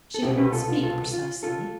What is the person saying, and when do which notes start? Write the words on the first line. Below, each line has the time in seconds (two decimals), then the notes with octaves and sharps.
She did not speak, precisely.
0.14 A4
0.22 C2 B2 B3 E4 G4
0.37 G4 B4
0.52 F4 A4
0.68 F4
0.82 F4 A4
1.13 F4
1.43 F4 A4